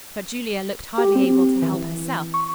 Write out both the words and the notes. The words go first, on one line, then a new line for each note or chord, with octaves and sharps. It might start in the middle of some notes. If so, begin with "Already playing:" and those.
But Julia looked hardly able to help herself.
G4
C4
E3
C#6